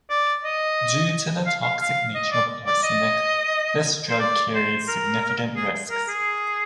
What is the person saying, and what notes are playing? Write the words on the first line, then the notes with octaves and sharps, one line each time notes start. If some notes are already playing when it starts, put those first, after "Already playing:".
Due to the toxic nature of arsenic, this drug carries significant risks.
D5
D#5
F5
F5
F5
D#5
D5
D5
D#5
C5
D5
C5
A#4
G#4
A#4
G#4